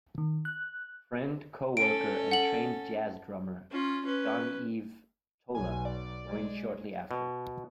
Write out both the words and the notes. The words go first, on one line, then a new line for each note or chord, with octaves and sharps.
Friend, co-worker and trained jazz drummer Jean-Yves Tola joined shortly after.
D#3
F#6
C#4 A4 D7
F#5 F#7
C#4 F4
C#4 B4
B1 G#5
D5
G#3
B2